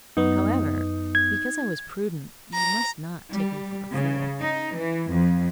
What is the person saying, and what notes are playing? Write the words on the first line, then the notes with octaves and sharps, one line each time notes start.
However, because I was prudent you must not take me for a fool.
F#2 B3 D#4
G#6
A#5
G3
C#3
D#4
E3
F2